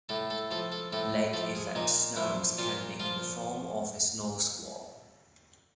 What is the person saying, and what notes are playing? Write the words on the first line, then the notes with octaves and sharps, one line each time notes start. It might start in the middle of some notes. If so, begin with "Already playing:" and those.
Lake effect snows can be in the form of a snow squall.
A2 A4
A4
F3 A4
A4
A2 A4
F3 A4
G#4
A#2 D#4
F3 E4
A#2 F4
F3 F4